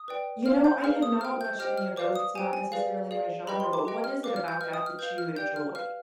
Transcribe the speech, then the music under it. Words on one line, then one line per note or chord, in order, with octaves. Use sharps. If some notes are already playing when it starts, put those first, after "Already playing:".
You know, I have not watched any of those. It's not necessarily my genre, but what is it about that that you enjoy?
Already playing: D#6
B4 D5 G5
C5 F5 F6
G6
G#4 B4 F5 F6
D#6
C5 G5 F6
G6
G4 C5 D#5 G5 F6
F6
B4 D5 F5 D6
D#6
G4 C5 G5 G#5
G#5
G#4 B4 D5 F5
G#4 D5 F5
G4 B4 D#5 G5 B5
C6
D6
G4 B4 D#5 G5
F6
B4 F5 D6
F6
G6
B4 D#5 G5 F6
D#6
F6
B4 F5 G6
F6
G4 D5 G5 G6
F6
B4 F5 F6